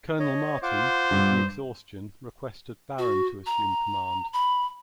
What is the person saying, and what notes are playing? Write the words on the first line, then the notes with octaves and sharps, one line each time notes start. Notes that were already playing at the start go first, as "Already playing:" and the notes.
Colonel Martin, pleading exhaustion, requested Barron to assume command.
C#5 D#5
F4 C5 F#5 D6
G2
F#4
A#5
B5